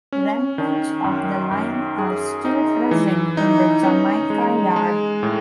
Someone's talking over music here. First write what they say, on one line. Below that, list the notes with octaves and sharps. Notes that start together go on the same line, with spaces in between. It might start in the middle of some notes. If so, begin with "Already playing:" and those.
Remnants of the line are still present in the Jamaica Yard.
C#4
D#3
F#2
F#2
G#4
D#4
E3
D#4
C#4
G#3
G#3
A2